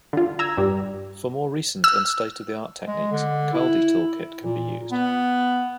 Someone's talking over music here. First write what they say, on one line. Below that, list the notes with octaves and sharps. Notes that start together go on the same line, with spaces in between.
For more recent and state-of-the-art techniques, Kaldi toolkit can be used.
D3 F4
A#5 E6 G#6
G2 G3
E6
G#3
D3
E4
A#2
B3